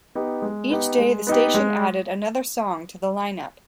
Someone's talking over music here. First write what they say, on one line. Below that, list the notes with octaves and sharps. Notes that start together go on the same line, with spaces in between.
Each day the station added another song to the line up.
B3 D#4 G4
G#3
B3 D#4 G4
G#3
B3 D#4 G4
G#3